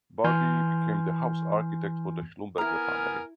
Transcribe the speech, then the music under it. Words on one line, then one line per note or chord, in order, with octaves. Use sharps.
Barbe became the "house architect" for the Schlumberger family.
E3 G#5 C6 F6 G6
B3 E4 A#4 G#5 A#5 F6